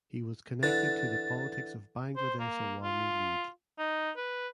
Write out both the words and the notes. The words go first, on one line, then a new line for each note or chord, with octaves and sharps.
He was connected to the politics of Bangladesh Awami League.
D3 E3 A6
C5
A#3
F4
D#4
B4